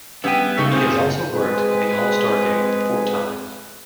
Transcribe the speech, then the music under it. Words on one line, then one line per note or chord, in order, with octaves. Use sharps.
He has also worked in the All-Star Game four times.
G3 B3 C#4 D4 E5 G5 G6 D#7
G#2 C#3 A3 A#3 D#4 C#6
A#2 C4 G#4 C5
F#1
G#3 C4 G#4 B4